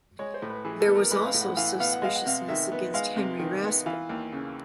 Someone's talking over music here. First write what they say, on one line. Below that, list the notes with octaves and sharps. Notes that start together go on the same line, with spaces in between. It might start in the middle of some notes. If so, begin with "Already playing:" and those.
There was also suspiciousness against Henry Raspe.
G#3 C#5
C5
A2
B4
E3 G#4
A4
B3
A#4
G#3 B4
F5
A2
F#5
E3 F5
F#5
B3 F5
F#5
G#3 F5
F#5
C3 F5
D#3 E5
B3
G#3 F5
C3
D#3
B3
E3 F5
D#2
C#3